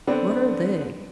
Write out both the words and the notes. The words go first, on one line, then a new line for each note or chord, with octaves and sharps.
"What are they?"
D3 B3 C4 D4